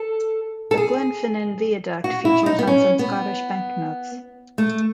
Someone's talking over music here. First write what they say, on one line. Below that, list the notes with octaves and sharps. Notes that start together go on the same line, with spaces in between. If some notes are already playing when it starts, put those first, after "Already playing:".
The Glenfinnan Viaduct features on some Scottish banknotes.
Already playing: A4
A4
G#4
F#4
E4
D#4
B3
C#4
B3
A3